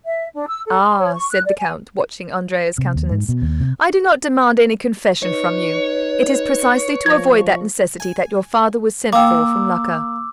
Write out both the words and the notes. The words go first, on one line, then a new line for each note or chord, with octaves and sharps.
Ah," said the count, watching Andrea's countenance, "I do not demand any confession from you; it is precisely to avoid that necessity that your father was sent for from Lucca.
E5
D4
E6
A4
C6
C#5
C#6
F#6
D5
G#5
C3
D#2
G#2
B2
D#2
C3
D#4 B4 C#5
F3 G#6 A#6
G#5
A#3 F5 G5 D6 E6